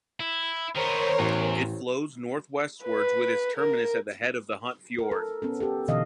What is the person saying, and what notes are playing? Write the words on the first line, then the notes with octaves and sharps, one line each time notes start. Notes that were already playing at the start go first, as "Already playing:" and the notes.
It flows northwestwards with its terminus at the head of the Hunt Fjord.
E4
D#3 B3 A#4 C5 C#5
A1 E2
B4
A#4
A#4
A4
B3 C#4 A4
G4 A4
B2 D3 E3 D#5 F5